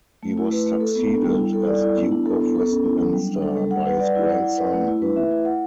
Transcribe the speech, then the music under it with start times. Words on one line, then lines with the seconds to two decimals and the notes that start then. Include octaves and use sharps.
He was succeeded as Duke of Westminster by his grandson, Hugh.
0.23 A3
0.38 E4
0.52 B4
0.66 A3
0.80 A4
0.95 B3
1.10 D4
1.24 G3
1.38 E4
1.53 A4
1.67 D5
1.82 E4
1.97 B3
2.12 D4
2.26 A4
2.41 B3
2.55 A4
2.69 C#4
2.84 E4
2.99 F#3
3.13 G3
3.28 D4
3.42 A4
3.57 G3
3.71 F#5
3.86 B4
4.00 D5
4.15 E4
4.29 F#5
4.44 E4
4.58 B4
4.73 A3
4.88 E4
5.02 B4
5.16 E5
5.31 E4
5.45 F#5